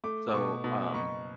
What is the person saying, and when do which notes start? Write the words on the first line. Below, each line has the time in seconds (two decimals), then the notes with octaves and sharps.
so, um,
0.04 A3 D6
0.28 D6
0.33 B2 C#6
0.64 B2
0.94 F#1 C#6